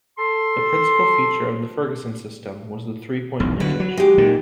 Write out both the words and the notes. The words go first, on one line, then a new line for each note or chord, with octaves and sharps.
The principal feature of the Ferguson System was the three-point linkage.
A4 C6
E1 B1
D3 F#3 B4 F#5
F#3
G#3 G4
A#2 D#3